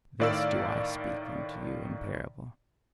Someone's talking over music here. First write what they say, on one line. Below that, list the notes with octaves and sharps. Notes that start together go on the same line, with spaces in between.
This do I speak unto you in parable.
A2 D#3 D5 F5 E6